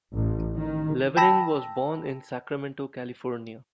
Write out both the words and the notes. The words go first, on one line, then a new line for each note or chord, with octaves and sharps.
Levering was born in Sacramento, California.
A1
D#3
G5 A5 B5 E6 A#6